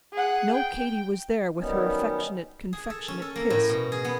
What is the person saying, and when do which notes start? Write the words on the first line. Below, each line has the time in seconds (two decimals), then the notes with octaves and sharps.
No Katy was there with her affectionate, confectionate kiss.
0.13 G#4 F#5
0.54 G5
1.57 D#3 F#3 G3 B3 C#4 D#4
2.73 G#4
2.90 A4
3.08 C#4
3.22 A4
3.36 A#3
3.50 A2
3.69 B2
3.92 G#4
4.05 B3